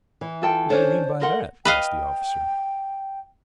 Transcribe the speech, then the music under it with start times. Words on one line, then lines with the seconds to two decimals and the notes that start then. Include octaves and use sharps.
"What do you mean by that?" asked the officer.
0.21 E3
0.42 F4 A4 G5
0.70 C#4 D4 A4 C5 C#5
1.21 A#4 F#5 C6
1.65 B4 D#5 F5 G5